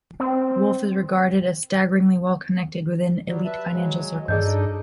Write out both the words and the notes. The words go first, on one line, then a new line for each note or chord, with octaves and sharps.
Wolf is regarded as "staggeringly well connected" within elite financial circles.
C4
F#3 G3
B4 E5 A5
F#3 G#3
G2 D4 D#4 G#4 A4 D#5 G6